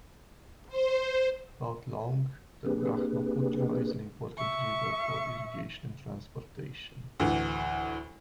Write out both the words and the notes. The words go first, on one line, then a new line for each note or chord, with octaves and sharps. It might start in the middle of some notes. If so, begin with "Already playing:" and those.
About long, the Brahmaputra is an important river for irrigation and transportation.
C5
A#3 C4 D4 G4 G#4 B4
E5 C#6
D2 A2 E3